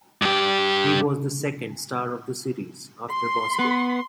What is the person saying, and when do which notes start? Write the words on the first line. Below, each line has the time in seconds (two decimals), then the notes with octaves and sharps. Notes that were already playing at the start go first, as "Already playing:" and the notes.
He was the second star of the series, after Bosko.
0.22 G2 G4
3.10 C6
3.59 B3 B4